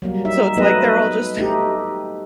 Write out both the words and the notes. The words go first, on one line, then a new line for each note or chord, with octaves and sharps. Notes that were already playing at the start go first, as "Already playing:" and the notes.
So it's like they're all just
F#3 G3 A#3
D#4 E5
F#3 A3 B3 D#4 B4 D#5
B4
A3 D#4 G4